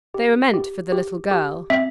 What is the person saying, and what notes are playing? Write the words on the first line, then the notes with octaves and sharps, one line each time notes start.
They were meant for the little girl.
G4
G4
G4
G4
C4 E5